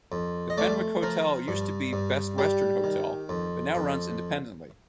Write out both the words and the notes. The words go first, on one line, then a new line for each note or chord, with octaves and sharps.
The Fenwick Hotel used to be Best Western Hotel but now runs independently.
F2
D#5
A3 D5
F3 A#4
G2
G2
G3 G4
D#3
F2
F2